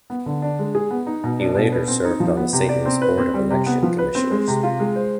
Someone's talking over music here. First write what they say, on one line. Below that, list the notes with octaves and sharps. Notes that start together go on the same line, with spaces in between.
He later served on the Saint Louis board of election commissioners.
B3
D3
D4
G#3
G#4
B3
D#4
B2
D4
B2
B4
C4
D#4
F3
B3
C3
D5
C4
B4
C4
G3
C3
B3
F3
B4
C4
G#3
C3
F4
G#3
C5